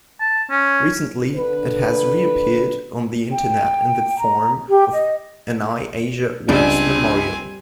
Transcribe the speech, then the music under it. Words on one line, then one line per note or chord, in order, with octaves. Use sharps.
Recently, it has reappeared on the Internet in the form of an iAsiaWorks Memorial.
A5
C#4
D3 B4
G5
A#5
G4
D#5
C#2 G3 C4 D4 G#5